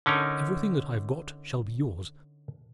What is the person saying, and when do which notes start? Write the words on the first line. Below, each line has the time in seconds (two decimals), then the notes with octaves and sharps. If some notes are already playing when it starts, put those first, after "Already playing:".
Everything that I've got shall be yours.
0.06 D3 C#4 D#4 A#4